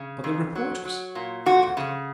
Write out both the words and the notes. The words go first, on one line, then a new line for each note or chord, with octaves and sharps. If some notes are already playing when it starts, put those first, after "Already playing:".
"But the reporters," I objected.
Already playing: C#3
F2
F#3
F#3
A#2
F2 F#4
C#3